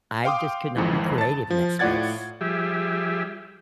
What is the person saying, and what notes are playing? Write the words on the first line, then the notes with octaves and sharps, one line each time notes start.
I just could not be creative in that space.
F5 G5 C6 D6 D#6
G#1 F2 G#2 E3
A5 A6
F3
A2 F4 D5 F#5 G#6 A6
F3 G3 G4 G#4 E5